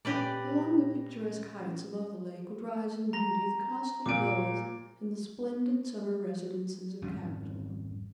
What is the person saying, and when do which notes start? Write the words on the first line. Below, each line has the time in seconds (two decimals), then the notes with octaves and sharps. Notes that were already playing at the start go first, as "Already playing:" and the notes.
Along the picturesque heights above the lake would rise in beauty the costly villas and the splendid summer residences of capital.
0.05 A#2 C#4 G4 B4 D5 A#6
3.13 A#5 A#6
4.06 A#2 D6 D7
7.02 G#1 F2 G3 C#4